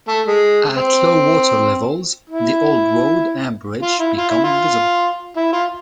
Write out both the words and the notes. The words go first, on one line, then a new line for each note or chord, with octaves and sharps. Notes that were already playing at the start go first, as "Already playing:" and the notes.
At low water levels, the old road and bridge become visible.
A3
G#3
C4
E4
F4
E4
F4
E4
F4
E4
F4